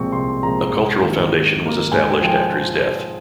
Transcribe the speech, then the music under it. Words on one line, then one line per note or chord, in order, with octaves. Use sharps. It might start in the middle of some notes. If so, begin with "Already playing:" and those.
A cultural foundation was established after his death.
Already playing: C2 A#2 F3 G#3 C4 C#6
C2 C6
A#2 F3 G#3 C4 A#5
G#2
D#3 A#3
G#2
D#3 A#3
G#2 G#5
G#5
F3 G5